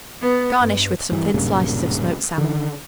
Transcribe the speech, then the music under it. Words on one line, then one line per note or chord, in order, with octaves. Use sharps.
Garnish with some thin slices of smoked salmon.
B3
G2
G2 E3
B1 G2 A#2 C#3
D3 D#3